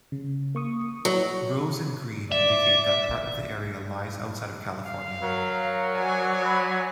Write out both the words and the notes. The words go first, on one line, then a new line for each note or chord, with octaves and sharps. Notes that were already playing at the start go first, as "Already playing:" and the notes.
Rows in green indicate that part of the area lies outside of California.
C#3
A#3 C#6 D#6
F#3
D5 E5
F5
F#3 A#4
C5 D5 G#5
B5